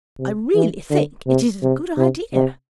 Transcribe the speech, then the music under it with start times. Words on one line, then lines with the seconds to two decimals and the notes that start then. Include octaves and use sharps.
'I really think it is a good idea.
0.19 C3
0.55 E3
0.90 D3
1.27 C3
1.62 C3
1.97 C3
2.34 C3